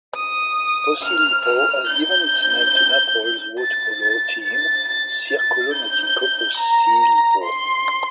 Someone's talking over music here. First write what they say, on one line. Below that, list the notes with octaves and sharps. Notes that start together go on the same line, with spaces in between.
Posillipo has given its name to Naples' waterpolo team, Circolo Nautico Posillipo.
D#6
F6
F6
G6
A6
A6
A6
A6
A6
G6
A#5
C6